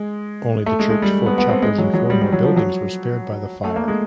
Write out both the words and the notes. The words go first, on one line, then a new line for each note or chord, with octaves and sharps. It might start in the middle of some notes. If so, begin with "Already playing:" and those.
Only the church, four chapels and four more buildings were spared by the fire.
Already playing: G#3
A3
G#3
G#3
G3
B3
B3
C4
G#3
F#3
F#3
G3
G3
F#3
F3
F#3
A3
A#3
G#3